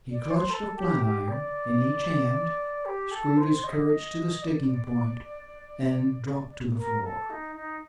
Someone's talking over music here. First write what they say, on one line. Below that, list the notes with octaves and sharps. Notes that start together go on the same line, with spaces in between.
He clutched a flat-iron in each hand, screwed his courage to the sticking point, and dropped to the floor.
D5
C5
A4
G4
G4
D5
G4
A4
C5
D#5
D5
A#4
A4
D#4
D#4